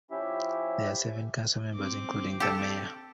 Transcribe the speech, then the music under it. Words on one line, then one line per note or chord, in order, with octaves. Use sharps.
There are seven council members, including the mayor.
F3 C#4 E4 G4 E5
C4 D6
G4 A4